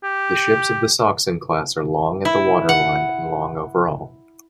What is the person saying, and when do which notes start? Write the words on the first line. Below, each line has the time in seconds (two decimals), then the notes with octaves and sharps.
The ships of the "Sachsen" class are long at the waterline and long overall.
0.03 G4
2.25 E4
2.69 F#5